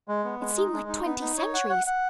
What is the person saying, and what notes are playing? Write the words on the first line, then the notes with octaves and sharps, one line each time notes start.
It seemed like twenty centuries.
G#3
B3
G#3
D#4
G#3
D#4
B3
D#4
C#5
F#5
F#5
F#5